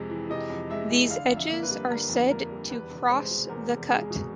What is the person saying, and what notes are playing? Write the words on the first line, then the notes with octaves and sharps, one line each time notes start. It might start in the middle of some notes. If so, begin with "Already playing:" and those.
These edges are said to cross the cut.
Already playing: F2 C3 G#3
E3
C3 D#5
F2
G#3 E5
E3
D3 F5
F2
E5
A#3
B4
G3
D3 A#4
F2
A#3 A#4
G3
E2 B4
F1
G#3 C5
B2
E2 A#4
F1
G#3 G#4
B2